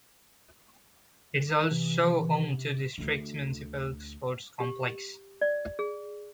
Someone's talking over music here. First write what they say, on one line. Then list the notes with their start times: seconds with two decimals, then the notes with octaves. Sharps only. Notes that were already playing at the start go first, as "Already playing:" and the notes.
It is also home to the district's municipal sports complex.
1.71 C3 E3
2.98 D2 D3
4.60 G4
5.41 D5
5.79 G#4